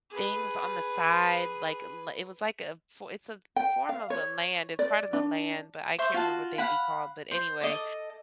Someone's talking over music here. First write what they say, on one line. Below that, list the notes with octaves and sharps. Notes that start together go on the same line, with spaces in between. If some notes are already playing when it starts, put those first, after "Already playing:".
things on the side, like, it was like a it's a form of a land It's part of the land, but I can't remember what they'd be called, but, anyway
G#4 B4
G5
F5
C#5
D5
D4
C5 E5 C#6
F4 F#4 A5
F5 F#5 B5
C5
A4 D#5 D6